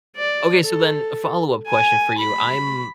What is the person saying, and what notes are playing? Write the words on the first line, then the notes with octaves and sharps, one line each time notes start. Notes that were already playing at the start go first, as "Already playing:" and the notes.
Okay, so then a follow-up question for you, I'm
D5
A4
G#5
B5